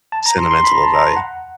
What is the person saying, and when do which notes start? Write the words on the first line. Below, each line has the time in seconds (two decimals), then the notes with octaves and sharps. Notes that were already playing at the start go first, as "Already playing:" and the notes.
Sentimental of value.
0.12 A5
0.26 A#5
0.38 C6
0.51 C6
0.64 B5
0.74 A#5
0.83 A5
0.94 A#5
1.16 F#5